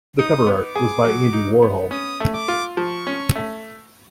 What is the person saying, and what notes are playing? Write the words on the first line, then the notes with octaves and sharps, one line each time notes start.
The cover art was by Andy Warhol.
D#4 D#6
B3
D6
G#4
F#3
D#4
B3
C#4 D#6
A3
D6
F4
F3 C#6
C#4
A3